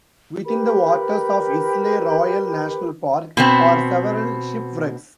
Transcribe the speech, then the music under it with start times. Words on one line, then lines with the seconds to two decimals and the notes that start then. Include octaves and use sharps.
Within the waters of Isle Royale National Park are several shipwrecks.
0.45 G4 A#4 B4 B5
3.37 B2 B3 C4